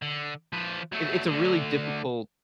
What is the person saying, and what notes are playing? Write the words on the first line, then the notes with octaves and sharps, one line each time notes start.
it it's a really difficult
D3
F3 B4
F#3 A3
D2 D3